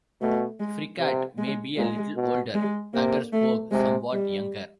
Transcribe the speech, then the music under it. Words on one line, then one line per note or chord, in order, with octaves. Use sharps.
Fyrkat may be a little older, Aggersborg somewhat younger.
B2 A3
G#3
C3
G#3
A#2 G#3
B2
G#3
C3 A#3
A3
C3 G#3
G3